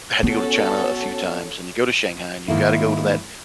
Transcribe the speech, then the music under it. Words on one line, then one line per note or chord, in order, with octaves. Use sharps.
I had to go to China a few times, and you go to Shanghai, and you gotta go to that
B3 C#4 F#4 A4
G#2 D#3 A#3 E4